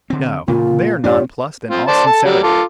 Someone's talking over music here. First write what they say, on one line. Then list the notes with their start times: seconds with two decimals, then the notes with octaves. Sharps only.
No, they are nonplussed in all sincerity.
0.10 D3 C4
0.48 E1 A#2 C#3 A#3 F4
1.04 F2 G#2 D4 F4 G4 C#5 D5
1.70 C4 F4
1.88 C5 D5 A5
2.06 A4 A5
2.25 F#3 G3
2.43 F4 A4 D6